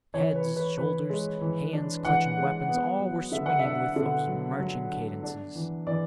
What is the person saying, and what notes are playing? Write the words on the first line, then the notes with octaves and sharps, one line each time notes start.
Heads, shoulders, hands clutching weapons, all were swinging with those marching cadences.
E3 C#5
B4
E3
B4
E3 B4
G#3
E3
D4
E3 F#5
G#3
B3
F#3
D3 E5
F#5
D4 E5
D3
F#3
F#3
D4
D4
E3
E3 D5